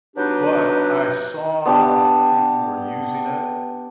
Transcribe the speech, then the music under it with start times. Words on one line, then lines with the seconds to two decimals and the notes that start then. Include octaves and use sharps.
but I saw how people were using it.
0.16 F#3 B3 D4 D#4 G4 B4
1.66 B3 D4 G4